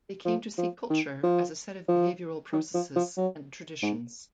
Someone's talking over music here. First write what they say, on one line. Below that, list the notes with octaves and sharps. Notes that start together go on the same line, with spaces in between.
They came to see culture as a set of behavioural processes and traditions.
F3
F3
D#3
F3
F3
D#3
F3
F3
F#3
G#2